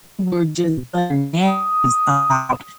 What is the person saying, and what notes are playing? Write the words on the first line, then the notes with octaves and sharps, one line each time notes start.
were just bananas about
D#6